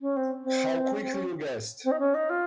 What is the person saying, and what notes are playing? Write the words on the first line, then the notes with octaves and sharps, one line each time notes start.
How quickly you guessed!
C#4
C4
C4
C#4
C4
C#4
C4
D#4
C#4
D#4
F4